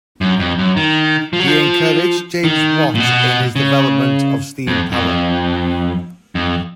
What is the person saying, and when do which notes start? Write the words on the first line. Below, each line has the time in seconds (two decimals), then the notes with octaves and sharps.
He encouraged James Watt in his development of steam power.
0.21 F#2
0.39 F2
0.59 F#2
0.77 D#3
1.33 F3
1.40 F#3
1.47 F3
2.44 D#3
2.95 A#2
3.00 B2
3.55 C#3
4.67 F2
4.92 F2
6.35 F2